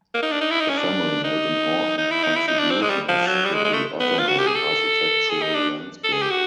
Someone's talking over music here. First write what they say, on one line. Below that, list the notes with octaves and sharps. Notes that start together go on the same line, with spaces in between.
The family made important contributions to the Ottoman architectural landscape.
A#3
D#4
D4
D#4
E4
D#4
C#4
D4
D#4
D#4
E4
D#4
E4
D#4
D4
C4
G#3
G3
F3
F#3
G3
G#3
G#3
A3
B3
F4
F#4
G4
G#4
A4
G#4
D#4
D4
A4
G#4
G4
F#4